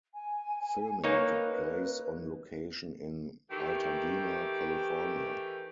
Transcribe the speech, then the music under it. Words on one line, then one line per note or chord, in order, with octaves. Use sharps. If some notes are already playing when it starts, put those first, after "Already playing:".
Filming took place on location in Altadena, California.
G#5
A#3 D#4 B4 C#5
D#3 E3 A3 G4